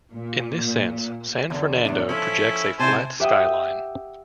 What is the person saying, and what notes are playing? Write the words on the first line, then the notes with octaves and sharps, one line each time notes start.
In this sense, San Fernando projects a flat skyline.
A#2
E2 D3
E2 A2 D4
F3 C#4 E4 A4
C3 E4 C5 G#5 A5
G4 E5 F#5 G5 D#6